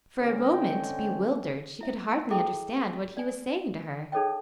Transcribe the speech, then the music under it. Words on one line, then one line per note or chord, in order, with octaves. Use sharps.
For a moment, bewildered, she could hardly understand what he was saying to her.
D3 C4 C#4 G4 A#4
D#5 G5
E4 E5
E4 G#4 A4 D#5 G5 D6
D5 G#5
D#4 G#4 A4 C#5 D#5 G5